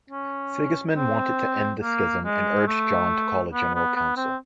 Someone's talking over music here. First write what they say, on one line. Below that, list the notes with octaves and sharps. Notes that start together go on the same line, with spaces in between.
Sigismund wanted to end the schism and urged John to call a general council.
C#4
C4
A#3
G#3
A3
B3
B3
B3
C4